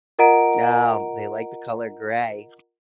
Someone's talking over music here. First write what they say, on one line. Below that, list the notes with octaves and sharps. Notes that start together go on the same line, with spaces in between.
No, they like the color gray.
F4 A#4 D#5 F#5 A#5 D7